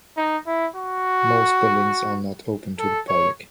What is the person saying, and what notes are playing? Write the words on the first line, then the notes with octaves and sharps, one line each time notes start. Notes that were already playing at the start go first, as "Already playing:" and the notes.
Most buildings are not open to the public.
D#4
E4
F#4
A4
C#5